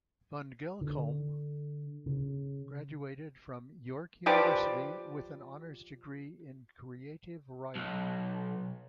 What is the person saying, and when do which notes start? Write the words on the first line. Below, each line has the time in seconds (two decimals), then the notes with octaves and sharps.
Van Belkom graduated from York University with an honors degree in creative writing.
0.81 D3
2.06 C#3
4.26 F3 G4 B4 D5
7.75 B1